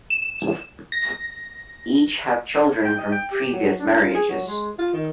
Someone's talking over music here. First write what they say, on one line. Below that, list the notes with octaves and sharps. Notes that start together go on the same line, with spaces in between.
Each have children from previous marriages.
E7
A#6
G5
D#5
G5
G4
F#3
D4
F4
G#4
F#3
G#3
F4
D#3